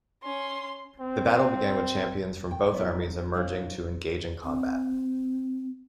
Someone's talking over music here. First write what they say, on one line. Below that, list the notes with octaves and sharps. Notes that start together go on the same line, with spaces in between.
The battle began with champions from both armies emerging to engage in combat.
C#4 C6
C4
G5
F#3 B3 E4
D3
F#3 D4 E4 C5 F5
C4